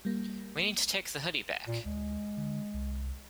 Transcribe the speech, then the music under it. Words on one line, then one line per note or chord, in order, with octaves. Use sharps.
We need to take the hoodie back!
G3 A#3
A#2
D2 G#3
D3
C2